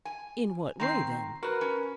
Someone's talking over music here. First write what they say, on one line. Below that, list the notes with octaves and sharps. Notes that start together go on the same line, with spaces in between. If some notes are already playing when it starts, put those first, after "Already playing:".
"In what way then?"
G#5
D#3 C4 A#5 C7
F#4 A#4 B4
C#4